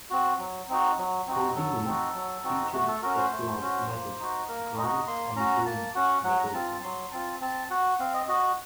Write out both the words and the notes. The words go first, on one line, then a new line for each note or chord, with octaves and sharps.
"Houdini" features a sludge metal, grunge and doom metal sound.
C4 F#4
F#3
C4 D#4 F#4
F#3
C4 D#4 F#4
F#3 A4
C4 D#4 F#4
F#3
C4 D#4 F#4
A3 F#4
A4
C#4 F#4 A#4
C5
A3
C#4 F#4
A#3
D#4 F#4
A#3 A#4
D#4 F#4 D#5
A#3 C6
C#4 F#4 A#5
A#3 A5
C#4 F#4 F#5
F#3 F#5
A#5
C4 F4 A5
A5
F#3 C6
C4 F4 A5
C4 A5
F#4 F#5
C4 F5
D#5
F#4 D#5